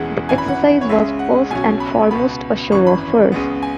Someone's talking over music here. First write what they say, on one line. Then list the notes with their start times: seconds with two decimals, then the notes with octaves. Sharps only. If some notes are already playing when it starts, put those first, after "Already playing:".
The exercise was first and foremost a show of force.
Already playing: E1 E2 C#3 E3 G#3 F#5
0.29 G#1 F#2 E3 G#5
0.38 B5
0.48 F#5
0.81 C#5
0.89 C#2 C#3 G#3 C#4 E5
1.19 F#5
1.50 B1 B2 F#3 C#4 G#5
1.80 B5
2.11 C#2 B2 B3 B5
2.71 G#1 F#2 E3 C#6
2.87 B5
3.32 C#2 C#3 G#3 B3
3.63 G#5